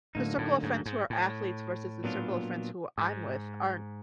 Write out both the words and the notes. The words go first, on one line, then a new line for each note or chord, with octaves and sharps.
the circle of friends who are athletes versus the circle of friends who I'm with aren't
D2 A2 D3 F#3 A#3 D#4
A2
G#2
G#2
A2
A#2 F#3 B3 D4 F4
G#2